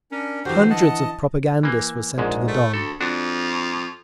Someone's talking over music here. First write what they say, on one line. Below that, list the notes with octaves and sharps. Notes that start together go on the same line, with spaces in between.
Hundreds of propagandists were sent to the Don.
C#4 D4 A#4
D3 E3 F#4 G4 C5
D#5 F#5 A5
E3 A#3
A#1 G#2 G#3
A3
D2 A4
F2 D4 F#4